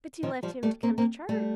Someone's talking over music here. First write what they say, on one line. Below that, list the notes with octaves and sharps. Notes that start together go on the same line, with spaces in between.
'But you left him to come to church.'
D#3 F3
F3 G3
G3 A3
A#3 C4
A#3 C4
G3 A3